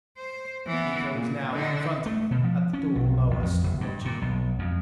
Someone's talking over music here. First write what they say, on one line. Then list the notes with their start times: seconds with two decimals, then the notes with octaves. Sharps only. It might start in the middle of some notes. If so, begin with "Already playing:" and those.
Miko was now confronting me: at the door Moa stood watching.
0.17 C5
0.67 E3 B3
1.12 A#2
1.53 D3 D#4
2.06 A3
2.31 B2
2.44 F3
2.73 C#4
2.95 B1
3.31 A1
3.43 F2
3.63 F#1
3.81 G2
4.05 A#2
4.22 B1
4.59 F2